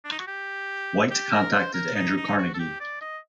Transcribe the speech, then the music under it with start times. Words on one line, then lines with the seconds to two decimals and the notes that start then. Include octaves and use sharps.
White contacted Andrew Carnegie.
0.05 D4
0.12 D#4
0.19 F#4
0.28 G4
1.11 G4
1.33 A#4
1.53 C5
1.74 A#4
1.96 D#4
2.17 D#4
2.38 F#4
2.54 A4
2.59 G4
2.80 D5
3.01 D#5